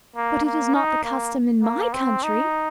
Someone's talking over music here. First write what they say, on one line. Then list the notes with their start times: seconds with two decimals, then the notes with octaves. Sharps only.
'But it is not the customer in MY country!
0.16 A#3
0.45 A#3
0.74 D#4
1.04 A#3
1.63 A#3
1.93 C4
2.23 D#4